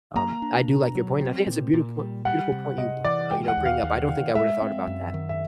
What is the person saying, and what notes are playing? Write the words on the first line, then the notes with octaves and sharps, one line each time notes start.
um, I do like your point, and I think it's a beautiful po beautiful point you, uh, you know, bring up, I don't think I would've thought about that.
A#3 A#5
D4
B2
F#3
C4
A#2
A#2
G3
G3 F#5
C3
C3 D#5
E3 D5
G#3 G5
F#5
D#2
F5
D#2
D#3
G#3 E5
C4
F#2
D#3
E5